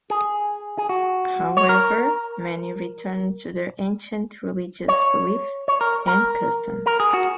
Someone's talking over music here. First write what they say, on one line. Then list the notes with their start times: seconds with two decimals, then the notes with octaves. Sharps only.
However, many returned to their ancient religious beliefs and customs.
0.10 G#4
0.78 G#4
0.89 F#4
1.57 C#5
1.69 A#4
4.88 C#5
5.68 C#5
5.81 A#4
6.07 A#4
6.86 A#4
7.00 G#4
7.14 F#4